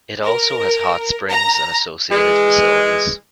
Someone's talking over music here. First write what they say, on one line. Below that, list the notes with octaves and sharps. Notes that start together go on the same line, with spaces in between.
It also has hot springs and associated facilities.
A#4
A#5
E3 G#3